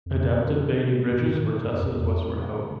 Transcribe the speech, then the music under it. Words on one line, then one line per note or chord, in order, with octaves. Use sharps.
Adapted Bailey Bridges were tested at Westward Ho!
F2
G2
G2
A2
G2
F2
E2
F2